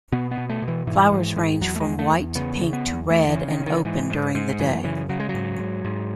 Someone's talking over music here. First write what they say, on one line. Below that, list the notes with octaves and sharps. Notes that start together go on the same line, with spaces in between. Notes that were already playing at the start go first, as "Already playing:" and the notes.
Flowers range from white to pink to red and open during the day.
B2 B3
B3
B2
A3
B2
E3
G#2 E3
G#2
G#2
E2 F#3
A3
G#3
E2
A3
E2
C#3 B3
C#3
B3
E2
E2 A3
E3
C#3
D#3
C#3
D#3
G#2 E3
G#2
G#2
F#2 E3
C#3 E3
C#3 F#3
G#3
F#3
G#2
G#2
G#2